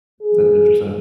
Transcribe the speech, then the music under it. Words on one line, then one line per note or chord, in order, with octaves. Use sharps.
That's interesting.
G#4